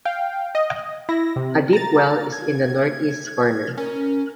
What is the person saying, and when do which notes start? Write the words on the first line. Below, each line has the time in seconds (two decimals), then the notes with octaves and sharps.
A deep well is in the northeast corner.
0.05 F5 G5
0.55 D#5
1.09 E4 A#6
1.36 C3
1.73 A#5 A6
2.32 G#6
3.78 C#4 A#4